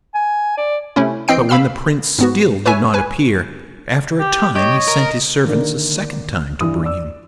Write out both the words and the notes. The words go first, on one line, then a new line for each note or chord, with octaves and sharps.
But when the Prince still did not appear, after a time he sent his servants a second time to bring him.
G#5
D5
C3 A3 C#4 E4
E3 C4 D#5 G5 C7 D7
F5 B5 E6 F6
G#2 B3 F#4
B4 C#5 E5 G#5
B4 G#5
G4
G4 C#5 D#5
A#4
D3 D#3 A#3 D5
G2 E3 D#6
D5 E6